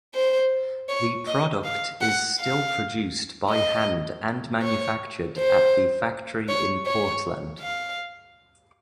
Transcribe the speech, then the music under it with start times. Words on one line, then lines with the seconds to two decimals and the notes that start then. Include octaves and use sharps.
The product is still produced by hand and manufactured at the factory in Portland.
0.15 C5
0.89 C#5
1.27 D#5
1.64 F5
2.01 F#5
2.39 F5
3.50 D#5
4.63 C#5
5.38 C5
6.48 C#5
6.86 C#5
7.60 F5